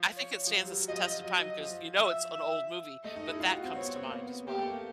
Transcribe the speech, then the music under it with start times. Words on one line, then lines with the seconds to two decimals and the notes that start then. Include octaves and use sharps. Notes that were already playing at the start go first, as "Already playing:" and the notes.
I think it stands the s test of time 'cause you know it's an old movie, but that comes to mind as well.
Already playing: F3
0.17 C#5
0.47 F3
0.53 F#3
0.65 G3
0.77 F#3
0.88 F3 D#5
1.24 F#3 D#5
1.60 F3
1.97 E5
2.32 E5
3.04 A3 D#5
3.16 D#4
3.28 E4
3.40 F4
3.51 F#4
3.64 C4
3.75 B3 C#5
3.88 C4
4.04 A#3
4.11 B3
4.47 A#3 G4
4.58 A3
4.69 A#3